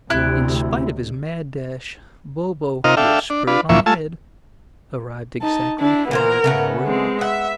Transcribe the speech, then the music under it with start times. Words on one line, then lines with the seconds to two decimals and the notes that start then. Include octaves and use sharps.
In spite of his mad dash, Bobo, who had spurred on ahead, arrived exactly half an hour late.
0.10 D2 C3 E4 F#6
2.84 C3 D#4 F4 A#4 D#5 F6
2.97 D4 A4 E5 F5 G5
3.30 D4
3.47 D4 F4 B4
3.69 D2 A#2 E3 F3 E5 C#6
3.86 A3 F4 G#5 A5 E6
5.41 D#4 A5
5.80 D4 E4
6.11 A#2 E3 B3 A#4 C5
6.44 C#3 A3 F#5
6.85 G#3 C4
7.21 E5 F#5